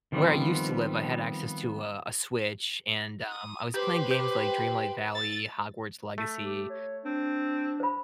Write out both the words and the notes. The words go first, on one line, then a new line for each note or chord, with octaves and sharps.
where I used to live, I had access to a a Switch, and, um, I was playing games like Dreamlight Valley, Hogwarts Legacy,
D#3 F3 G3 A3 B3 C4
D#6
G4 B4 C5
G4
E6 A6
A3
G4
C#5
C4 D4
C5 B5